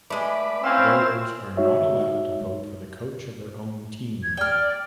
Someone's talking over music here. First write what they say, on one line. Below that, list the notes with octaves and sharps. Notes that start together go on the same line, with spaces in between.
Voters are not allowed to vote for the coach of their own team.
G#3 A3 B4 D5
C4 C#4 E4 C5 F5 E6
G#3 D#4 F#4 C#5 E5
G#6
D5 G5 F6